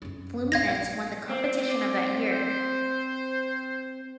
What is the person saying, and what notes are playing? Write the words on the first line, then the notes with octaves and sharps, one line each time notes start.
Fluminense won the competition of that year.
F#2 C#4
A#1 F5 G#6 A#6
C4
D6
C5